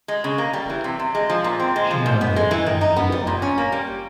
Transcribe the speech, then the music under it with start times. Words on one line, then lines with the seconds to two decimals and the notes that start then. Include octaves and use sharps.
She now lives in Lyon.
0.08 G#3
0.24 C#3
0.38 A#3
0.53 G3
0.70 E3
0.84 C3
0.99 C3
1.15 G#3
1.30 F3
1.44 A#2
1.60 C4
1.76 G#3
1.91 F3
2.06 G#2
2.21 B3
2.36 G#3
2.51 E3
2.66 D#3
2.81 D#4
2.96 B3
3.12 G3
3.27 A#2
3.42 C#4
3.58 A#3
3.72 G3